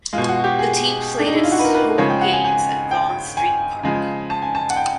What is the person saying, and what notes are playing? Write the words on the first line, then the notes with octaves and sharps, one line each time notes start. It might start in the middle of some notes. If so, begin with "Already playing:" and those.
The team played its home games at Vaughn Street Park.
B2 G#3 F4
F#4
G4
G#4
D4
D#4
E4
F4
F#4
B4
A#4
B4
C#3 F3 G#3 C#5
G5
F#5
G#5
G#5
G5
G#5
C#3 F3 G#3
A5
G#5
A5
F#5
G5